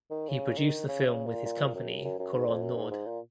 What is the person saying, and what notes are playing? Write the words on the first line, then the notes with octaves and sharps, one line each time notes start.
He produced the film with his company Couronne Nord.
D#3
C#3
D#3
C#3
C#3
A#2
A#2
F#2
F#2
F#2
G#2
F2
F#2
G#2
G#2
A#2